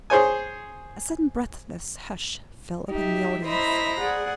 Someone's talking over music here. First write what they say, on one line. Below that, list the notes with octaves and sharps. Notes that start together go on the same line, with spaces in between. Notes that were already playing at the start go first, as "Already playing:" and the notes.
A sudden breathless hush fell upon the audience.
G#4 C5 C#5 G#5
D#4 G4 E5
E4 C5 D#5 E5 A#5 B5
G#4 D5 F#5